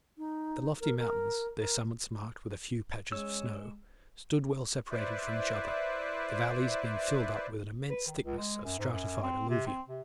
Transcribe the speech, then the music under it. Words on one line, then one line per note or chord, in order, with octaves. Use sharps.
The lofty mountains, their summits marked with a few patches of snow, stood well separated from each other, the valleys being filled up with an immense thickness of stratified alluvium.
D#4
A#4
A#4
A#4
G#3 C#4 E6
E4 B4 C5 D5 E5
B4
D#3
C#2
G#3
F#2
G#2
F#2
C4
C3
C4
C3